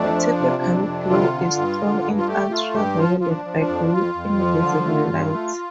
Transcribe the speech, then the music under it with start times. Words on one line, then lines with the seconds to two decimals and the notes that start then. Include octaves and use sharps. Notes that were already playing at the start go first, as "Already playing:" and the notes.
The typical glow is strong in ultraviolet but weak in visible light.
Already playing: F2 A3 D4
0.15 F3
0.39 C3
0.63 F2
0.86 C3
1.09 D3 F4
1.33 D3
1.57 G2
1.81 D3
2.04 G2
2.18 F4
2.28 A3 G4
2.51 A3 F4
2.74 G2 G4
2.98 F3 F4
3.20 F3 F4
3.29 D4
3.45 F3
3.60 D4
3.68 F2
3.92 F2 F4
4.15 F2
4.39 F3
4.62 D3
4.86 A3
5.09 G2
5.33 A3